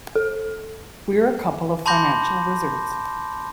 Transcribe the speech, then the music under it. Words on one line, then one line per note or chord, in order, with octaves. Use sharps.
We're a couple of financial wizards.
A4
A5 B5 C6 D6 G6 A#6